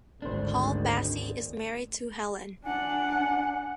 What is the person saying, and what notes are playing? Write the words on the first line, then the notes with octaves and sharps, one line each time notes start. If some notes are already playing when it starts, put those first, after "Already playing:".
Paul Bassey is married to Helen.
G#1 D2 D4 C5
D4 F#5 G#5